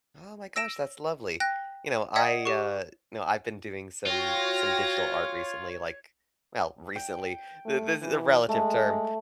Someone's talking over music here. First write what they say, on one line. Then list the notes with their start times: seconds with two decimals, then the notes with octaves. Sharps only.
Oh, my gosh, that's lovely. You know, I, uh, know, I've been doing some some digital art recently, like well, recently, th this is a relative term.
0.56 E6 A#6 D7 E7
1.40 G5 F#6 A#6
2.16 D5 D#5 F#5 D#6 G#6 B6
2.45 G4 C#6
4.06 F4 F#4 C#5 G5 A#6
6.96 G5
7.65 A3
8.02 E3
8.49 G#3 A3